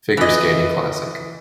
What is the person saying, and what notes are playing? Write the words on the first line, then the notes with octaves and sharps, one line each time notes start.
Figure Skating Classic.
E3 D#5